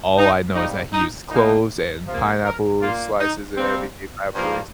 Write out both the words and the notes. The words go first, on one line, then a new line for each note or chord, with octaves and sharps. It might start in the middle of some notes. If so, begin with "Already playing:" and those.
all I know is that he uses cloves and pineapple slices and everything I believe.
D#4
C3 G3 A#3 D#4
D#4
A#2 A#3 D#4
C3 F3 A#3 F4
A#4
A#2 A#3 F4
D#4
C3 G3 A#3 C4
G2 F3 A#3